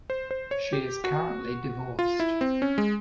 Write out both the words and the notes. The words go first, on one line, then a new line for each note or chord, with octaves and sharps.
She is currently divorced.
C5
C5
C#5
G4
F#4
F4
E4
C4
C#4
G#3